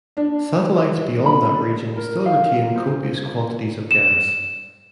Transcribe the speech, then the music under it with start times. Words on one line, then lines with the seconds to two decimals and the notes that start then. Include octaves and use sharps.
Satellites beyond that region still retain copious quantities of gas.
0.17 D4
1.26 B5
1.55 D5
1.96 A#4
2.26 F5
2.76 C5
3.91 E7